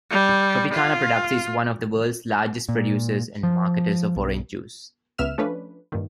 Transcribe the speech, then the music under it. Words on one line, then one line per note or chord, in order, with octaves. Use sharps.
Tropicana Products is one of the world's largest producers and marketers of orange juice.
G3
F4
A#2
F3
B1
C#2 B3 E5 F6 E7
F3 A3 C#4 D4 B4
G2 A#2 D#3